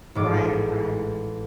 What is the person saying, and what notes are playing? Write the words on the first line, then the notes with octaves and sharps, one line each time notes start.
Right, right.
A1 G#2 D6